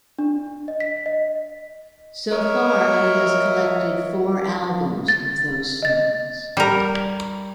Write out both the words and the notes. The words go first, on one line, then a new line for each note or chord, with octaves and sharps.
So far, he has collected four albums of those songs.
D4
D#5
B6
D#5
A#4 C#5 D#5 E5
A6
D#5 A6
G3 A#4